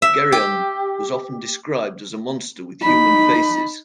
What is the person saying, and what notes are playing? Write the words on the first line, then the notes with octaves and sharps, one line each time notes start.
Geryon was often described as a monster with human faces.
E5
G4
D#4 B5